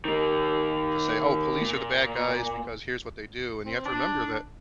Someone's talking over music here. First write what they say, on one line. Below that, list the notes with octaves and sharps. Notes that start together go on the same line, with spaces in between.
to say, "Oh, police are the bad guys because here's what they do", and you have to remember that,
D#3 A#3
A#2
C4
D4